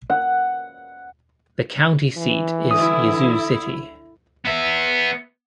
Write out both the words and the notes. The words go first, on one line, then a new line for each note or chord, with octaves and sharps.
The county seat is Yazoo City.
F#5
E3
D3 E4 D#6
B3 E5